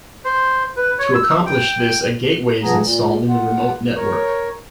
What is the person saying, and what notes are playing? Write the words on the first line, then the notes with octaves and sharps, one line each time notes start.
To accomplish this a gateway is installed in the remote network.
C5
B4
C#5
E6
G5
G2 F3 B3 G#4 A#5
A#2
F4 F#5
A#4 C#5